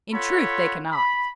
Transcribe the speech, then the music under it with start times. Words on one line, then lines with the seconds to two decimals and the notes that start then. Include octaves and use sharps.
In truth they cannot.
0.13 F4 A4 C#5 F#5 B5 C6
0.91 B5